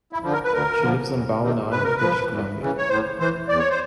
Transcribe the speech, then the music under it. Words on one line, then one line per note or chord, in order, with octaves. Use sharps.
She lives on Bowen Island, British Columbia.
E4
D3 F3
A#4
B4
D2 A#4
D3 F3
E2
C3 D#3
G#2 B4
A#4
B4
F3
E2
C#3 E3
C#5
A2 C5
E3 C5
E2 D5
C#5
C5